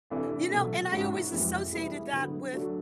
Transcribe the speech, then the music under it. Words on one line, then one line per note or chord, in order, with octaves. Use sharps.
You know, and I always associated that with
C3 E3 A3 D4
B2 F#3 A3
G#2 E3 G#3 C#4 F#4
F2 C3 E3 G#3
G3 B3 E4 G#4
D3 F#3 B3
F#3 A3 D4 F#4